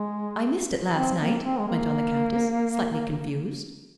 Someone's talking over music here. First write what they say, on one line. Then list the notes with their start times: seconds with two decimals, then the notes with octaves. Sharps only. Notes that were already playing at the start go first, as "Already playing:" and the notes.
"I missed it last night," went on the Countess, slightly confused.
Already playing: G#3
0.96 C4
1.20 A#3
1.45 C4
1.59 G#3
1.68 A#3